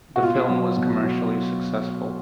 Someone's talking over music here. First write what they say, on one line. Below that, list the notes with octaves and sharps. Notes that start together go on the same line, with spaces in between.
The film was commercially successful.
F#4
B2 F4
F#3
B2
F#3